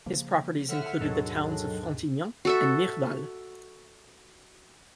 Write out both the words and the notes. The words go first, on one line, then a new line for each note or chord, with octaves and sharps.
His properties included the towns of Frontignan and Mireval.
C#3 F3 A#3
A2 D3 E5 F#5 F6
D#2 G#2 B2 D#3 F#3 G#3 D4 A4
F#4 A4 E5